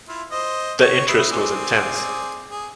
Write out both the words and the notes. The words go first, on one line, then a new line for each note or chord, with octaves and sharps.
The interest was intense.
E4 F4
C5 D#5
C#5
B4 E5 D#6
C4 G#4 D5
G#4